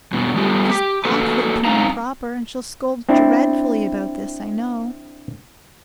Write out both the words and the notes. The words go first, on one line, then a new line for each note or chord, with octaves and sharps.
She's awfully prim and proper and she'll scold dreadfully about this, I know.
E2 G2 B2
G3 A3 B3 F4 G4
G4
A3 A#3 F#4 A4 B4
G2 C4 C#4 D#4 F5 A#5
C4 D4 E4